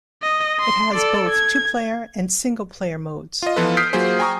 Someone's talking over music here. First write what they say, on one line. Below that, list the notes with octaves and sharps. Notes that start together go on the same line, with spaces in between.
It has both two-player and single-player modes.
D#5
C6
A4 D5
G#6
F4 D#5
E3 F3 B3 F4 A4 B4
D#6 F6 G6 B6 C7 D7
F#3 A#3 F4 G#4 C5
G5 G#5 A#5 C#6 D#6